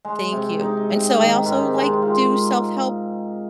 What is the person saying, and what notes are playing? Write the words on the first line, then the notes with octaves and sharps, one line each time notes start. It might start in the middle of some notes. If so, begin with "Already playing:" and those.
thank you, and so I also, like, do self-help
G#3
C3
D#4
C3
D#3
G#2
G#3
F4